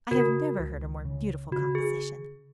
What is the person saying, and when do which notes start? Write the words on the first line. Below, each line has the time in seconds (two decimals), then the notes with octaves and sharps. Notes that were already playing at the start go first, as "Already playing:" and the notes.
'I have never heard a more beautiful composition.
0.11 C#3 F#4 A#4
0.58 C#2
1.05 C#3
1.51 C#3 F#4
1.75 G#4